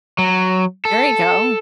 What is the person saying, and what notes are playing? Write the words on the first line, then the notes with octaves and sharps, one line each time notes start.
There you go.
F#3
A4